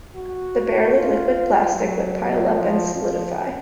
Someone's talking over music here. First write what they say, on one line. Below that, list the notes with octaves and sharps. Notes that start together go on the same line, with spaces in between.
The barely liquid plastic would pile up and solidify.
F#4
F4
F#3
F3
F3